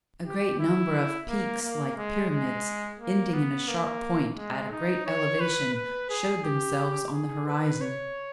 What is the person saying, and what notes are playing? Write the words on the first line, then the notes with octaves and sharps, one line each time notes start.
A great number of peaks, like pyramids, ending in a sharp point at a great elevation, showed themselves on the horizon.
G4
E4
A#3
A#3
G#3
G#3
A#3
B3
A#3
G#3
D#4
C#5
B4
B4
G#4
G4
G#4
B4
C#5